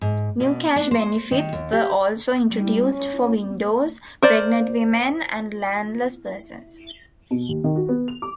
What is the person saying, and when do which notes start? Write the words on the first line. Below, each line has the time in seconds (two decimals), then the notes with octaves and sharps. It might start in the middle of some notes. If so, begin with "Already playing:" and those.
New cash benefits were also introduced for widows, pregnant women, and landless persons.
0.01 G#2
0.40 B2
0.76 D4
0.91 C5
1.31 D#3
1.53 D#2
1.73 G4
2.53 G3
2.95 C#4
4.22 A#4 C5 D5
7.31 B2
7.49 D#2
7.64 D#3
7.76 F#4
7.89 B3
8.08 F7
8.22 D6